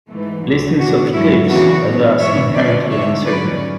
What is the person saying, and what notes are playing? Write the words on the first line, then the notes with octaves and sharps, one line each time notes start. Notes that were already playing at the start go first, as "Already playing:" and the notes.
Listings of cliffs are thus inherently uncertain.
G#2 E3 A3
D2 D3 F#3
B2 A3 D4 F#4
G#2 F#3 A3 C#4 E4
E2 C#3 E3 B3 D4 F#4
A2 F#3 B3 D4
G#2 E3 B3 D4 C#5 E5
D2 D3 F#3 C#4 B4 D5
D2 D3 G#3 D4 C#5 E5
G#2 F#3 C#4 B4 D5